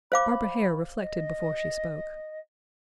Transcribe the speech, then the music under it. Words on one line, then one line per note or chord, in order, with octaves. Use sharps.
Barbara Hare reflected before she spoke.
C5 F5 B5 D6
D#5